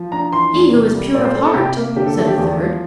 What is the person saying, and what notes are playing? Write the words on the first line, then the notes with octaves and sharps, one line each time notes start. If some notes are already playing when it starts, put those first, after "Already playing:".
"He who is pure of heart," said a third.
Already playing: F3
D4 A#5
E3 C6
E2
C3
G3
A#2 D5
C5
C4 A4
A4
C3 G4
A#3
D3 G4
A4
A3 A4
G4
E2 G4
F3